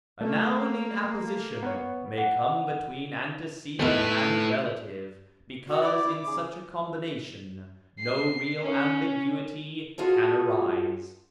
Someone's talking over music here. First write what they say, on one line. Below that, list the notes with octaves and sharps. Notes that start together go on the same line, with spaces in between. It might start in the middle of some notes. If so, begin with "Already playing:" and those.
A noun in apposition may come between antecedent and relative, because in such a combination no real ambiguity can arise.
A3 A#3
B3 C#5
F#5
E2 G#3 A3 E4 B4 F5
F#4
E4 D5 D6
C#3 G#4
C7
C#4
F4 F#4 G#4 A4